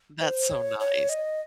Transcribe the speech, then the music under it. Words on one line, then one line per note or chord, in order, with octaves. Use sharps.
That's so nice.
C5
C#5
C#5
D#5